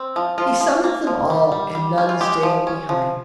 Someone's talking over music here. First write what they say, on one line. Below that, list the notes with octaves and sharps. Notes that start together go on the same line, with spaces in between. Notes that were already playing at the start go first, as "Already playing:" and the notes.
He summoned them all, and none stayed behind.
Already playing: C4
F3
F3 F4
F3
A#3
F3
G3
G3
G3
C#4
F4
G#3 G4
F3
C#4
F3